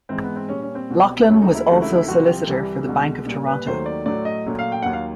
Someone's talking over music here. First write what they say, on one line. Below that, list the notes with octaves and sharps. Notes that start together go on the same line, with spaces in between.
Laughlin was also solicitor for the Bank of Toronto.
G#2 E3 G#3 C4
B3
C4
A#2 G3 C#4
C#4
C4
C2 B2 G3
D#2 C#3 F#3 A3 C#4
D#4
E4
C#2 C3 D#3 F#3 A3 F#4
E4
E4
C2 C3 F3 F#4
G4
C2 C3 E3 G3
C2 B2 G#3
A#2 G3
B4
D#2 D#3 F#3 A3 C5
D5
A2 F#3 A3 D5
D#5
A#2 F#3 A3
F5
G5
D#2 D#3 F#3 F#5
F5